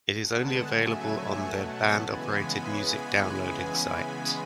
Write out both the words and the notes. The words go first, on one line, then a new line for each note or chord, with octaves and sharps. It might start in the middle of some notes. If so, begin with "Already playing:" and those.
It is only available on their band-operated music downloading website.
D3 G#3 B3 F#5 A5
C#3 F#3 A3 E5 G#5
B2 F#3 A3 E5 G#5
B2 F#3 A3 F#5 A5
C#3 E3 G#3 B3 G#5 B5